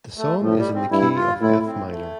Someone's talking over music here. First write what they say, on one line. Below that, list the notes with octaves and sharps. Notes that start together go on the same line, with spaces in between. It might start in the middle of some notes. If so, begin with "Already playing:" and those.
The song is in the key of F minor.
A3
A2 F3
G3
C4
G2 E4
F4
A2 E4
C4
A3